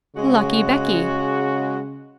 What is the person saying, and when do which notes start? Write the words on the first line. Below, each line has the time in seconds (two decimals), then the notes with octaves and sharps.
'Lucky Becky!
0.16 C#3 G#3 F#4